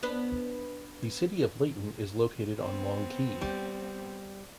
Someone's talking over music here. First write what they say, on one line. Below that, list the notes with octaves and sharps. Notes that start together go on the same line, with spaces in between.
The city of Layton is located on Long Key.
B3 D4 B4
B3 C4
G3